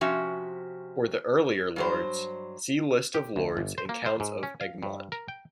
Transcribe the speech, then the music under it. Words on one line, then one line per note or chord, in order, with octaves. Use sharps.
For the earlier lords, see List of Lords and Counts of Egmont.
C3 F3 C#4 F#4 E5
G2 F#3 C5
G4
D2
G1
C5
A#3
C5
G#2
C#4
F5
G2
A#4
G5